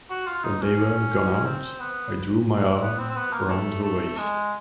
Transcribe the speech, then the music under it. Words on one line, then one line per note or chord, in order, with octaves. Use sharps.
When they were gone out, I drew my arm round her waist.
F#4
F4
D#4
C#4
C4
B3
B3
C4
C4
B3
A#3
A3
A3
G#3